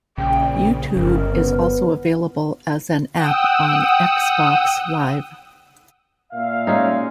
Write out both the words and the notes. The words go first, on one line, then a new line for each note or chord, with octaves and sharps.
YouTube is also available as an app on Xbox Live.
A#1 C#3 G5
G1 A#4
B3
F#5 G5 D#6 E6
A#2 E5 F5
G#3 C#4 D#4